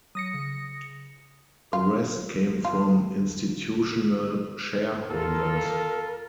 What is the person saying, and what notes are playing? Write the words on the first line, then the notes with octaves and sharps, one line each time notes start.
The rest came from institutional shareholders.
F#3 D#6 A#6 C#7
C#3
F4
F4
F4 A4 A#4